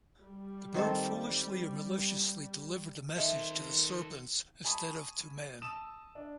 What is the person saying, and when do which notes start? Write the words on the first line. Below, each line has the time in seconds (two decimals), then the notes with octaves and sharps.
The bird foolishly or maliciously delivered the message to serpents instead of to men.
0.22 G3
0.74 D#3 C4 A4
3.16 D#3 A4 C5 D#5 E5
4.64 G#5 A5 B5 C#6 D#6
5.62 A5 D#6 E6 E7
6.15 D4